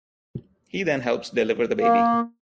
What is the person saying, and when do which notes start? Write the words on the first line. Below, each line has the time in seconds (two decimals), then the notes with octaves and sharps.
He then helps deliver the baby.
1.80 A#3